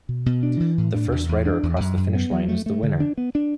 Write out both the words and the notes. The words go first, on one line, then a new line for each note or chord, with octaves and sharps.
The first rider across the finish line is the winner.
B2
B2
D4
E3
A2
D4
E2
E2
D4
E2
F#2
F#2
B3
F#3
A3
A3
D3
D4
B3
D4